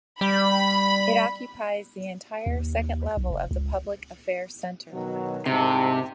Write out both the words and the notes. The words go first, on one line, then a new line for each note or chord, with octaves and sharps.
It occupies the entire second level of the Public Affairs Center.
G3 B5
D#2
B1
F1
C#2
B2 D#3 F#3
C2 G#2 C3 A5